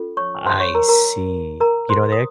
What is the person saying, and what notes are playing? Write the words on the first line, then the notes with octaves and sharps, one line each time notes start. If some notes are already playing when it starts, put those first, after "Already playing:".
I see. You know they
Already playing: C#4 F4 A4
C#5 C#6
C5 C6
C#5 C#6
A#4 A#5
A#4 A#5
A#4 A#5
C5 C6
D#6